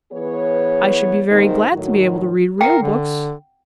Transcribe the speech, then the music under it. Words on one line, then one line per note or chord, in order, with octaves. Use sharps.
'I should be very glad to be able to read real books.
E3 B3 G#4 B4 C#5
G#2 C3 D#3 A#3 D#4 C5
A2 D#3 F#3
A#4 F#5 G5
D3